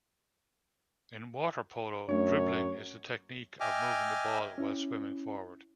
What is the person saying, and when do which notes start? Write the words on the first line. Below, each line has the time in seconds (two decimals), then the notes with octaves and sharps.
In water polo, dribbling is the technique of moving the ball while swimming forward.
2.09 F#2 A3 D4 C#5
3.60 D#5 E5 G5 G#5 D6 F6
4.58 C#4 E4